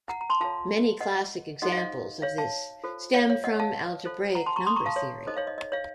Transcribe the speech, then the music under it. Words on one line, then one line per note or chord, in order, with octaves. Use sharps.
Many classic examples of this stem from algebraic number theory.
F#5 A#5
A#5
A5 C6
F4 A4 C#5 F5 A5
D#5 F#5
D#4 F#4 A4 C5 D#5 F#5
F5
D#5
C#5 F5
F5 A5
F4 A4 C5
C#5 F5
C#5 F5
D#5 F#5
F5 A5
F4 A4 C5
F#5 A#5
A5 C6
A#5 C#6
C6 D#6
A#5 C#6
F5 A5
C#5 F5
D#4 A4 C5 D#5
C#5 F5
D#5
D#5
C#5 F5